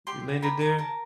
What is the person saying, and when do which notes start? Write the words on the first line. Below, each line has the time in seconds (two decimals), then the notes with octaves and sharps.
you landed there?
0.07 G4 C6
0.42 A#4 B5
0.61 A#5
0.79 A#4 A5